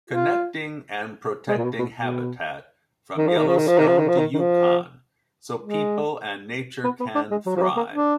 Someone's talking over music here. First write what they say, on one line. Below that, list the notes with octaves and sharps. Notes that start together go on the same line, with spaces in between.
Connecting and protecting habitat from Yellowstone to Yukon so people and nature can thrive.
F4
G#3
A#2
B2
B2
B2
D#3
F3
D#3
F3
D#3
F3
D#3
F3
D#3
F3
D#3
D#3
F3
G#3
B3
B3
D4
G#3
F#3
F3
F#3
A#3
D4